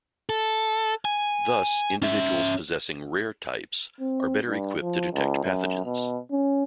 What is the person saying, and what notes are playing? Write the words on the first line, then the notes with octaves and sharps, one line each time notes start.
Thus, individuals possessing rare types are better equipped to detect pathogens.
A4
G#5
C#4 E5
C4
G2
F3
C#2
F#2
B2
C#4